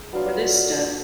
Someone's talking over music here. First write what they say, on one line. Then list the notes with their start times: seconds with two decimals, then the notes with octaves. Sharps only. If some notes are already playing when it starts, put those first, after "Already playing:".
For this step.
Already playing: G#4
0.13 F#3 B3 D4 F4